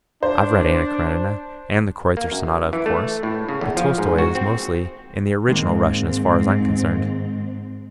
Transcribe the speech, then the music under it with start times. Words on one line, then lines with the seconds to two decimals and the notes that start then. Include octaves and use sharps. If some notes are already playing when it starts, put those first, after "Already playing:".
"I've read 'Anna Karenina' and the 'Kreutzer Sonata' of course, but Tolstoi is mostly in the original Russian as far as I'm concerned."
0.23 D4 C5
2.17 A#3
2.32 F#2
2.73 E3
2.86 A3
3.23 A2
3.48 C#3
3.61 E2
3.77 F3
3.98 G#2
4.18 F#4
4.35 C4
5.48 G#2 D#3 G#3 A#3 C4